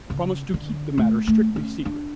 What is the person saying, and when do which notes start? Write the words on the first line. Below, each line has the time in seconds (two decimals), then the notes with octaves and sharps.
Promise to keep the matter strictly secret.
0.10 C#3
0.54 D3
0.98 A3
1.27 A3
1.56 C#4
1.85 D4